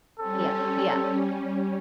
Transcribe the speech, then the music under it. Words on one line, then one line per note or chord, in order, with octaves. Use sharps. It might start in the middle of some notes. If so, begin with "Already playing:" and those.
Yep, yep.
G3 C4 C#4 A4